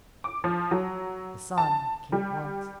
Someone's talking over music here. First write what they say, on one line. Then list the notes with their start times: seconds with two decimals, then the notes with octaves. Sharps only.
The sun came at once.
0.24 D6
0.44 F3
0.71 F#3
1.58 A5
2.12 G3